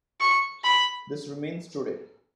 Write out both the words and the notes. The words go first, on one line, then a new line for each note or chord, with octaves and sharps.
This remains today.
C#6
B5